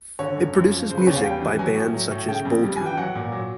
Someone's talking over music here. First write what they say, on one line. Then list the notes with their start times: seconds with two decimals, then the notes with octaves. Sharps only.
It produces music by bands such as Boulder.
0.19 D3 C#5
0.37 F#2
0.55 F#2
0.71 F3
0.89 C#3 C5
0.98 B4
1.07 E2 C#5
1.16 F5
1.23 G3 G5
1.42 E3
1.59 F#3 G#5
1.76 A2
1.94 F#3
2.11 A2
2.29 C#3 G5
2.45 F2
2.63 G3
2.76 E3 G#5
2.86 G5
2.97 F#3 F#5
3.15 A#2
3.32 F#3